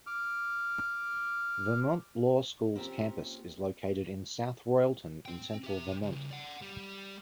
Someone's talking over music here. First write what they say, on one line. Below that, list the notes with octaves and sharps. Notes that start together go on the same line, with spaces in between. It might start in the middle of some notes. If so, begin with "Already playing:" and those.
Vermont Law School's campus is located in South Royalton in central Vermont.
D6 F6
A#3 C4 C#4 F4 G4 A#4
C4 G5
G4 E5
C#3 G3
D5 F#5
G3